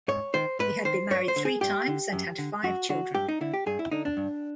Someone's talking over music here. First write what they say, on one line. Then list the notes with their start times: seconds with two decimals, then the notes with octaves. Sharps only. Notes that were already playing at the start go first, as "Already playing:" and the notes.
He had been married three times and had five children.
0.08 G#2 C#5
0.34 D#3 C5
0.59 G#2 B4
0.85 D#3 C5
1.10 G2 C#5
1.28 C5
1.36 D3
1.45 G#4
1.61 G2 G4
1.88 D3
2.13 F#2
2.39 D3
2.63 F#2 F#4
2.89 D3 F#4
3.15 G2 G4
3.28 D#4
3.41 D3 E4
3.54 G4
3.66 G2 G#4
3.79 E4
3.92 D3 D#4
4.05 D4
4.17 G2